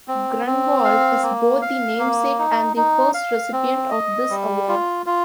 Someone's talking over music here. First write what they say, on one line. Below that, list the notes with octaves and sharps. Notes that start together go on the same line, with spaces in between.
Grunwald is both the namesake and first recipient of this award.
C4
C4
F5
A#3
F5
A#3
D#4
D#4
F5
C4
D#5
G3
F4
F4